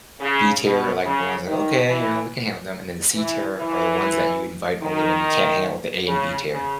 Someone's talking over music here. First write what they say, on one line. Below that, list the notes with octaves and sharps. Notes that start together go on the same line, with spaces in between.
B-tier are, like, the ones that, okay, you know, we can hang with them, and then the C-tier are the ones that you invite only when you can't hang out with the A and B-tier.
C#3
B2
C#3
D#3
E3
E3
E3
D#3
C#3
C#3